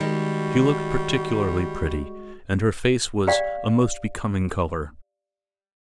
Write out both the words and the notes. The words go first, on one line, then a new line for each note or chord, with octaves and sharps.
She looked particularly pretty, and her face was a most becoming color.
D#3 G3 G#3 F#4
G4 D5 F5 G5